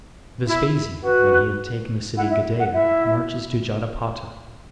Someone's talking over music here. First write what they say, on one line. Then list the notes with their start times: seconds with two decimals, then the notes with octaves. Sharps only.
Vespasian, When He Had Taken The City Gadaea Marches To Jotapata.
0.47 E4
1.04 F#4 B4
2.16 E4 F#5
2.31 E5
2.60 F#5
2.74 E4 E5